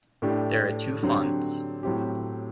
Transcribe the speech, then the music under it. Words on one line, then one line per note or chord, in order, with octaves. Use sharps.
There are two fonts.
A2 A3 D4 G4
D3 F#3 C4 G4
A2 F#3 C4 G4